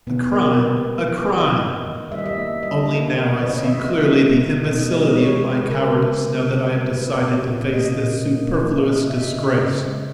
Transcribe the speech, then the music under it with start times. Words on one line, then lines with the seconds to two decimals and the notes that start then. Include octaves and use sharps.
'A crime! a crime!' Only now I see clearly the imbecility of my cowardice, now that I have decided to face this superfluous disgrace.
0.07 B2 B3
0.32 G3 A#4
0.58 G3 B4
0.84 A#3
1.09 G#3
1.35 D#3
1.60 D#3 D#5
1.85 D#3
2.12 G3 E5
2.18 D#5
2.26 E5
2.37 A#3
2.63 G3 D#5
2.88 A#3
3.14 A#3
3.39 D#3 B4
3.49 C#5
3.57 D#5
3.65 D#3 E5
3.90 A#3
4.16 G#3
4.42 B2
4.67 B2 D#5
4.92 G#3 D#5
5.18 G#3 C#5
5.44 G#3 B4
5.69 C#3 A#4
5.95 C#3
6.21 A#3
6.46 C#3
6.72 G3 B4
6.97 A#3 B4
7.22 A#2 C#5
7.48 A#2
7.74 A#3 D#5
7.99 A#2
8.25 A#3
8.50 A#3
8.76 D#3 E5
8.93 D#5
9.01 A#3
9.10 E5
9.27 C#3 D#5
9.53 C#3
9.78 G#3